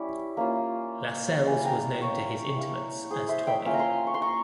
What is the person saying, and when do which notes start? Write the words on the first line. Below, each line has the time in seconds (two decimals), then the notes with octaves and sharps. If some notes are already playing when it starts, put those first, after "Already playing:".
Lascelles was known to his intimates as "Tommy".
Already playing: G3 C#4 E4
0.37 A#3 C#4 F4
1.46 G3 C#4 E4 F5 G#5
1.65 G5 A#5
2.01 A#4 C#5
2.56 A#3 E4
3.10 G#4 C5
3.29 C5 E5
3.47 E5 G5
3.65 A#3 C#4 F4 F5 G#5
3.74 A#5
3.79 G#5 C6
4.07 C#6
4.14 C6
4.22 A#5 C#6